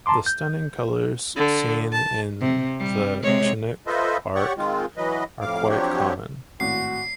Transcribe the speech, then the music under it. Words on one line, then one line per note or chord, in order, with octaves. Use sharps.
The stunning colours seen in the Chinook arch are quite common.
A5 A#5 C6 D6
G6
D3
A5
C3
G3
C3 G#3 C#5
F4 A4 B4 C5 D#5 E5
G4 C#5 D5 F#5 C#6
D#3 G#3 C4 F4
E3 F#3 B4 D#5
F2 A2 F5 D6
F3 F#3 C4 D4 G4 C#5
G#1 A2 F#4 C7